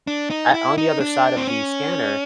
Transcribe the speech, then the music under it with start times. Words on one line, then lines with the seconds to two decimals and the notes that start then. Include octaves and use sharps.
at on the other side of the scanner,
0.07 D4
0.30 D#4
0.54 E4
0.78 D#4
1.00 D4
1.37 C4
1.47 C#4